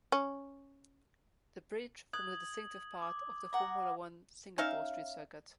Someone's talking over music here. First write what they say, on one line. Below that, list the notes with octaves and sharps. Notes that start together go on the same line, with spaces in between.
The bridge forms a distinctive part of the Formula One Singapore Street Circuit.
C#4
D#6 F#6 G#6 F#7
D6
F#5 A#5 D6
C#4 D#4 E5 F5